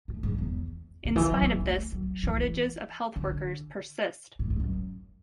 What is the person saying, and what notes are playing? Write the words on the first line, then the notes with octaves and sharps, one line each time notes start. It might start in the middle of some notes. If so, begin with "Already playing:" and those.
In spite of this, shortages of health workers persist.
A2
G#2
E2
D3
E3
F#3
B3
B3
A3
F#3
E3
D3
A2
G#2
F#2